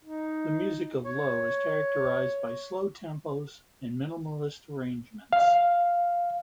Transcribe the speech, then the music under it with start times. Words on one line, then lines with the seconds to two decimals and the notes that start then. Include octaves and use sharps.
The music of Low is characterized by slow tempos and minimalist arrangements.
0.05 D#4
1.04 C#5
5.33 F5